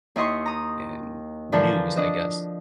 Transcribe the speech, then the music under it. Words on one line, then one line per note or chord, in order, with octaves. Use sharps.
erm, news, I guess,
D#2 E4 D#5 C6 C#6
A#5 D#6
D3 E3 F3 D4 A4 A#4
D4 D#5